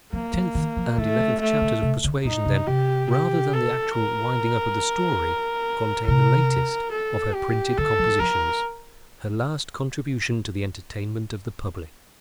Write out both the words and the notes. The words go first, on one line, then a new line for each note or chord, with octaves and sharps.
The tenth and eleventh chapters of 'Persuasion' then, rather than the actual winding-up of the story, contain the latest of her printed compositions, her last contribution to the entertainment of the public.
F3 A#3
F3
D#3
F3
D#3 A3
F3
A3
D3
C3
D3
A#2 D#4
C3
C3 G4
G4
A4
A#4
C3 A#4
A4
G4
D3 A4
F3
F3 A#4